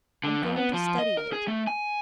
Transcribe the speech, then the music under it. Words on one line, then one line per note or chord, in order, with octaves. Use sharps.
I'm going to study it.
D3
F2
B3
F3
D#5
A#4
G#4
A3
G#5